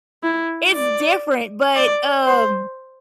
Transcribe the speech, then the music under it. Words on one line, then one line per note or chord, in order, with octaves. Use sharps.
It's different, but, um
E4
D5
D5
C5